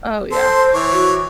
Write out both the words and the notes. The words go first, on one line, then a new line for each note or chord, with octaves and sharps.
Oh, yeah.
A4 C5 C6
E3 C#5 D6
F#4